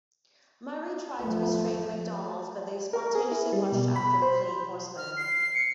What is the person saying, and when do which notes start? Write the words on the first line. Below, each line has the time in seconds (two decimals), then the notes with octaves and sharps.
Murray tried to restrain the MacDonalds, but they spontaneously rushed after the fleeing horsemen.
1.20 F3 A3
2.93 A#4
3.15 G#4
3.32 E4
3.53 G3
3.72 B2
3.96 B5
4.22 C5
4.97 F6
5.17 C7
5.54 C#7